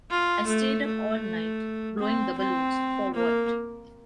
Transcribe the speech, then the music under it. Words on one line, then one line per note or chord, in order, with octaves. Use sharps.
I stayed up all night, blowing the balloons. For what?
F4
A3
A3
C4
C4
A#3